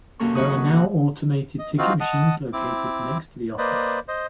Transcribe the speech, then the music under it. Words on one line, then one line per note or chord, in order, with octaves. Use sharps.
There are now automated ticket machines located next to the office.
F#2 C3 A#3 C#4 A4 C#6
D#3 F#3 B4 F#5 C#6 D#6
C3 D#3 F#6
D#5
C4 D#4 F4 F#4 F5
D#5 F#5 A5 D#6
C4 E4 D6
A#3 B4 C5 D5 D#5
C5 D#5